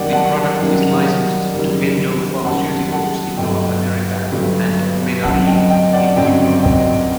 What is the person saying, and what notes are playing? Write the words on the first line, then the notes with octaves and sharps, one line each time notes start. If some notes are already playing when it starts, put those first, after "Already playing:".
The product is licensed to Endo Pharmaceuticals in North America and Menarini in Europe.
Already playing: F#2 D#3 G3 A#3 D5 D#5 F#5 G5
F#5 A5
F#2 D#3 G3 A#3
F#1 F#2 D#3 G3
F#1 F#2 D#3 G3 F#5 A5
F#5 A5
G1 G2 F#3 A3 D#5 G5
G1 G2 F#3 A3
G1 F#2 F#3 C4 F#5 A5
D#5 G5
D#5 G5
D5 F#5
G1 F#2 F#3 C4 D#5 G5
D#5 G5